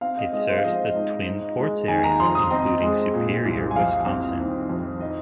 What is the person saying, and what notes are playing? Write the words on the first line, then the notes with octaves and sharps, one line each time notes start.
It serves the Twin Ports area, including Superior, Wisconsin.
C4 F5
D#5
G#3 D#5
C5
F5
F3 D#5
G#2
D#4
G#3
D#3 G#5
A#5
F2 C6
D#6
C4 D#5
G#3
A#2
C2
G#5
F2 F5
C4
D#3
F2
D#4 D#5